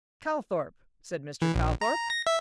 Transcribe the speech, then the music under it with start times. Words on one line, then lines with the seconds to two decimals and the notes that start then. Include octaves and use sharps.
"Calthorp," said Mr. Calthorp.
1.42 E3
1.55 A#1
1.81 A#5
2.10 A#6
2.27 E5